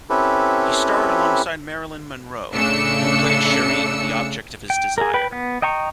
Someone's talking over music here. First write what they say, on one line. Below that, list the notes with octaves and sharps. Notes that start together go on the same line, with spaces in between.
He starred alongside Marilyn Monroe, who played Cherie, the object of his desire.
C4 C#4 E4 G4 A4 B4
A2 C#3 A3 D4 E6 C#7
G5
G#4 A#4
B4 G5 B5
B3
D#5 G5 A#5 C#6